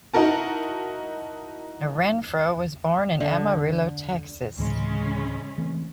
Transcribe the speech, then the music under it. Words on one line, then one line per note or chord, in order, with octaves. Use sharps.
Renfroe was born in Amarillo, Texas.
D#4 E4 F#4 A#4 A5
D3
D2 A2 C#3 E3 G#3 C#4
E3 A3 C4